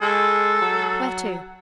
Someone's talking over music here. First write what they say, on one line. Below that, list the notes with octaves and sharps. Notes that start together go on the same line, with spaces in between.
"Where to?"
G#3 A4
F#3